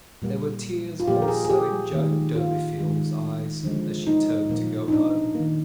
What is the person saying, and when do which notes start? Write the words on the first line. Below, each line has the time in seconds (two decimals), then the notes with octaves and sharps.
There were tears also in Joan Durbeyfield's eyes as she turned to go home.
0.22 A#2 G3 A#3
1.00 F4
1.07 A#2 F3 A#3 G4
1.22 A#4
1.28 G#4
1.45 G#4
1.50 G4
1.92 D#3 A#3
2.35 F4
2.79 D#3 G#3
3.64 D3 F3 G#3
4.07 D#4
4.49 A#2 F3 A#3
4.88 D#4
4.92 D4
5.35 D#3 A#3